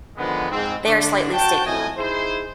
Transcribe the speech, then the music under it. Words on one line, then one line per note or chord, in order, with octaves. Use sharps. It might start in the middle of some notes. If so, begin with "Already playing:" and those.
They are slightly sticky.
D3 D#3 F3 G#3 B3
G#2 C4
D3 D4
F#4 G5 A5
F2 A2 E4 D#5 G#5
D#4 E4 G#4 C5